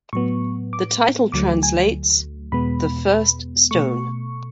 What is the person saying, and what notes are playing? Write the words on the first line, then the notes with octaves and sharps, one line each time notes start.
The title translates "The first stone".
A2 F#3 B3 C#6
D6
D2 D3 F#3 A3 D6
G#5
E2 B2 G#3 B3 B5
B2 A3 C#6